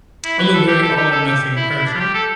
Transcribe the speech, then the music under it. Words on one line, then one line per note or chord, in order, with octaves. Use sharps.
I'm a very all or nothing person
E4
B4
A4
G4
A4
G4
A4
G4
E4
E4
D4
F4
G4
A4